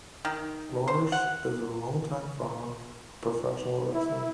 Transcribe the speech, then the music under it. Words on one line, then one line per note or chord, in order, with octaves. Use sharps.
Lars is a longtime fan of professional wrestling.
D#3
C5
F#5
E4